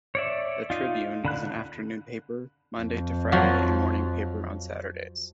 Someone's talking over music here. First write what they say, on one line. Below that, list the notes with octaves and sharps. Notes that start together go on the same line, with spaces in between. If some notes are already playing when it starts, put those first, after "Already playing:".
The "Tribune" is an afternoon paper Monday to Friday and morning paper on Saturdays.
C#5 D5 E5
D#4 F4
D3 B5 F#6
F2
F3 F#3 F#4